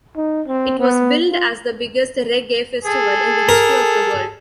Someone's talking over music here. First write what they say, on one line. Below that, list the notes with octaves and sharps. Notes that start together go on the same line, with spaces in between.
It was billed as the "biggest Reggae festival in the history of the world".
D#4
C4
B3
F4
G#4 A4
A#4